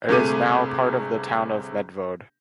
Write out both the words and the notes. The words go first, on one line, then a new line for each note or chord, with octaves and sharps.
It is now part of the town of Medvode.
G1 C3 A3 G#4 D6 D#7